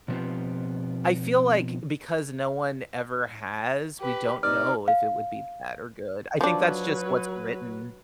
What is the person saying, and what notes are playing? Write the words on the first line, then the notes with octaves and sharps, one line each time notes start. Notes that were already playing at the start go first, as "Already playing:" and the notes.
I feel like, because no one ever has, we don't know if it would be bad or good. I think that's just what's written.
B2 F3 B3 C4 F4 G4
G4 B4
C3 D#4 B4 D5 F6
F5
F3 F#3 D4 B4